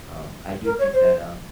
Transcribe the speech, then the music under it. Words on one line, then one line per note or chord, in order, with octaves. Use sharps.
um, I do think that, um,
A#4
C#5
C5